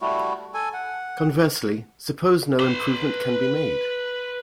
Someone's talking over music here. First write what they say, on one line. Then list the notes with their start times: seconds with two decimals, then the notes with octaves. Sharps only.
Conversely, suppose no improvement can be made.
0.01 G3 A3 E4 F#4
0.54 A4 G#5
0.73 F#5
2.60 B4 C6